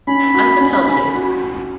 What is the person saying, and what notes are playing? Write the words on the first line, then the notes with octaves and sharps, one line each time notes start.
I can help you.
C#4 B5
F#4
C#4
C#4
F#4